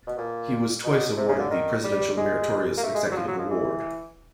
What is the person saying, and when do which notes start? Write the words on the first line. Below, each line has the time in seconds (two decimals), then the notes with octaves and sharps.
He was twice awarded the Presidential Meritorious Executive Award.
0.07 B2
0.18 A#2
0.84 B2
1.17 C3
1.28 C#3
1.39 D3
1.51 D#3
1.84 G3
2.17 G#3
2.77 A#3
2.83 A3
2.94 G#3
3.05 G3
3.11 F#3
3.16 F3
3.27 F#3
3.39 F3
3.50 E3